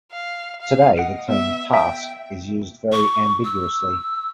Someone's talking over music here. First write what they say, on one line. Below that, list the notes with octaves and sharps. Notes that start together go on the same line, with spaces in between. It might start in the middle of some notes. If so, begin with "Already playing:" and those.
Today the term "task" is used very ambiguously.
F5
F5
D#5 F#5 C#7 D7
B3 E5
E5 G5
C#6
E6